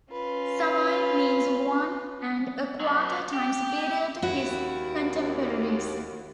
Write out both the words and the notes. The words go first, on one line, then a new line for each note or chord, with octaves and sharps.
"Sawai" means one and a quarter times superior to his contemporaries.
C#4 F4 B4
F#3 B3
G4
D#2 E4 F#4